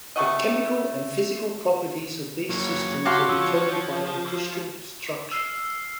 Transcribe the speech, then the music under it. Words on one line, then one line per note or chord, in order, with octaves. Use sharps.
The chemical and physical properties of these systems are determined by their crystal structure.
C3 A3 F#4 D#5
F#3 A#3 C#5
F#4 G4 F5 A5 C6 D6
F3 E6
E6 F6 C7